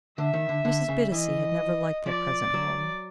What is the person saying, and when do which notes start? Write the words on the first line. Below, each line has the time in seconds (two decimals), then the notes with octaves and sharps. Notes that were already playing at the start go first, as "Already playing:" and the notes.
Mrs. Bittacy had never liked their present home.
0.18 D3 E5
0.34 D#3
0.49 D3
0.65 D3
0.88 C#3
1.12 E3 D#5
2.06 F3 D5
2.54 F#3